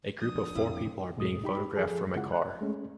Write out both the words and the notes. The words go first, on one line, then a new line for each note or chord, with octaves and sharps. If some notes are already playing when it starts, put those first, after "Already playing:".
A group of four people are being photographed from a car.
F3 D4 D#6
F2 C4 E4 F5
C2 A2 G#3 A3 D#6
D#4 G4 B5
F3 G#4 A4
C#3 G#3 E4 F4 F#5
F#6
G#3 A3 C#4